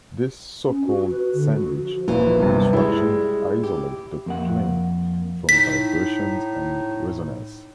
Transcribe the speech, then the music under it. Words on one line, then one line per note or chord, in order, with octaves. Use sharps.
This so-called 'sandwich' construction isolate the plinth from vibrations and resonance.
C#4
F#4
B4
D3
F#4
F3
D#1 A#1 E3
G2 C3 B3
G3 G#3 E4
G4
F2 A#3 F#5
A2 D#4 B6